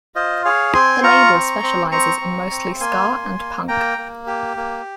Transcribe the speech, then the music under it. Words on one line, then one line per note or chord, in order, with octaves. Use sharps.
The label specializes in mostly ska and punk.
F4 C5 D#5
G#4 C#5 F5
C4 G#5 C6
F4 A#5 C#6
C4
C4
C4 A#5 C#6
C4
C4
A#3 G#5 C6
A#3
A#3
A#3 G5 A#5
A#3
G4
A#3